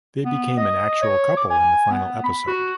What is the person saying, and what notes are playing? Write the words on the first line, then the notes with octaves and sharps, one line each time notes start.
They became an actual couple in the final episode.
B3
D#5
C#5
D6
G#5
B3
B5
F#4